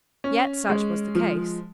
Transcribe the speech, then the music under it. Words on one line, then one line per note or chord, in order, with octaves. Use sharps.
Yet such was the case.
C#4
G#3
F3